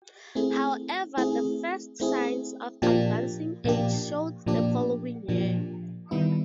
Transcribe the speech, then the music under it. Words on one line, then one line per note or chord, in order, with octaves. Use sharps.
However, the first signs of advancing age showed the following year.
A3 C4 E4 G#4
A3 C4 E4 G#4
A3 C4 E4 G#4
A#2 F3 A#3 D4 G4
A#2 F3 A#3 D4 G4
A#2 F3 A#3 D4 G4
A#2 F3 A#3 D4 G4
D#3 G3 B3 E4